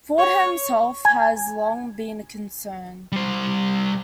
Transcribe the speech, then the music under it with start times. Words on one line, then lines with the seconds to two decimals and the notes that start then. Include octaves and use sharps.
Fordham's health has long been a concern.
0.18 C#5
1.05 G#5
3.12 G3 C5